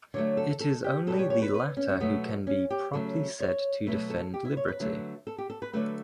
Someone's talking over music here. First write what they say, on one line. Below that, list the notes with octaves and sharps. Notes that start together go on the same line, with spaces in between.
It is only the latter who can be properly said to defend liberty.
D3 F#3 A3 C#5
A4
A4
G4
B2 G3 A4
C#5
C#5
B4
B4
C#4
C#4
B2 F#3 A3 B3
C#4
G4
C#3 F#3 A3 A4
C#5
B2 F#3 A3 B4
A4
G4
E4
C#5
B4
D3 F#3 A3
A4
G4
A4
B4
D3 F#3 A3 B4